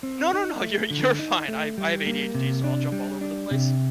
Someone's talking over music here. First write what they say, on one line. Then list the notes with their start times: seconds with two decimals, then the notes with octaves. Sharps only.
No, no, no, you're, you're fine, I I have ADHD, so I'll jump all over the place.
0.03 C4
0.33 D#4
0.61 A3
0.91 D3
1.19 D#4
1.48 A3
1.78 G3
2.06 A#3
2.35 C3
2.64 D4
2.92 G3
3.21 D4
3.51 C3